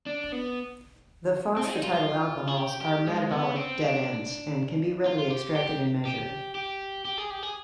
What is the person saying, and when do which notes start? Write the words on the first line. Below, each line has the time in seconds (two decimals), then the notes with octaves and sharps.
The phosphatidyl alcohols are metabolic dead-ends, and can be readily extracted and measured.
0.06 D4
0.32 B3
1.57 C4
1.70 G#4
1.76 D#4
1.82 F4
1.94 F4
2.48 G#4
2.57 G4
2.81 G4
3.07 G#3
3.31 B3
3.56 C4
3.81 D4
5.06 F4
5.19 F4
5.30 G4
5.56 G4
6.05 G4
6.55 G4
7.05 G4
7.18 G#4
7.30 G4
7.43 G#4